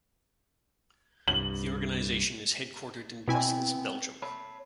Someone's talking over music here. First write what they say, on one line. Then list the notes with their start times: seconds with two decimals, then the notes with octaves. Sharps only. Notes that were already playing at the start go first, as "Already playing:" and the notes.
The Organization is headquartered in Brussels, Belgium.
1.28 C2 G2 F#7
3.28 B2 B3 C4 E4 G5 G#5
4.22 C#5 A5 B5